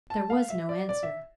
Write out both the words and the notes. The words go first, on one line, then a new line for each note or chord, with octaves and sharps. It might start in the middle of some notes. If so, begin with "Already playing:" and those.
There was no answer.
A5
F5
E5
D5
D5
E5